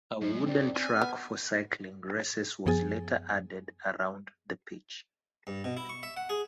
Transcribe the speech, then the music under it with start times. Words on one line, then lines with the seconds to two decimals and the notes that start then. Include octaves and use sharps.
A wooden track for cycling races was later added around the pitch.
0.21 F#2 G#3
0.46 E2 C4 D5
0.75 G#5
1.02 B3 F6
2.66 F#2 F3 B3 G#4 G#5 A6
5.47 G2
5.64 B2
5.77 E4
5.89 C#6
6.03 E5
6.17 F#5
6.30 G#4